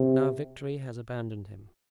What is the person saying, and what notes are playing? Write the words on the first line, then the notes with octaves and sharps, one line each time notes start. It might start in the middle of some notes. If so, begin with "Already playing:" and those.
Now victory has abandoned him.
Already playing: C3